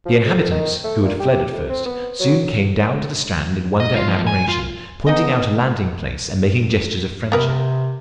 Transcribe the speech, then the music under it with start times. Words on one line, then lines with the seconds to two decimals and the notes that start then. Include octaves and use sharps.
The inhabitants, who had fled at first, soon came down to the strand in wonder and admiration, pointing out a landing-place, and making gestures of friendship.
0.05 F3
0.25 F2
0.51 D#3
0.84 A3
1.03 A#2
1.20 G4
1.52 F2
1.69 C4
1.86 B3
2.20 F#3
3.80 D#5
3.94 F4
4.08 F2
4.27 G#5
4.48 F4
5.07 B3 D#4 G#4 D#5
7.32 C3 B3 A#4 B4